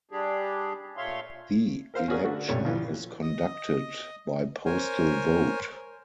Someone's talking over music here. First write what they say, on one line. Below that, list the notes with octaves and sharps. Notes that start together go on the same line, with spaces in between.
The election is conducted by postal vote.
G3 D4 G4 G#4
A#2 A3 C#5 E5 F5 C6
A#4 C5 F5
C#4 D4 F#4 G#4 A#4
D3 A3 F#4
A#1 G2 C3 A3 C#5
E3 F3
D#5 D#6
A#4 C5 C#5 G#5